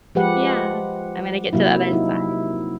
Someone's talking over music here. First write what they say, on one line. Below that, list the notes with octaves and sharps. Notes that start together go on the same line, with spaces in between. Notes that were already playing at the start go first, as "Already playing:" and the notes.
Yeah. I'm gonna get to the other side.
F3 G#3 G4 B4 F#5
C3 F#3 A#3 E4
D#4 E4